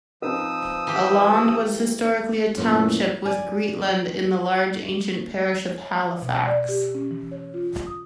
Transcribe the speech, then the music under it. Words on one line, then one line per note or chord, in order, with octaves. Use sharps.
Elland was historically a township, with Greetland, in the large ancient parish of Halifax.
F3 C4 D#4 B4 D#6 E6
E3 G4
F#2 A#2 E3 A3
D5 G#5
C#5
B2
D5
G4
C#4
E3
C#5
F4
D#6